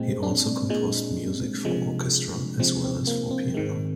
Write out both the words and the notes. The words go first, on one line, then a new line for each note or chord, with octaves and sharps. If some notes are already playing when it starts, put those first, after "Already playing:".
He also composed music for orchestra as well as for piano.
Already playing: A#2 G#3 C4
D4
A#2 G#3
C3 F3 G#3
C3 F3 G#3 C4
C4
A#3
C4
G#2 D#3 G#3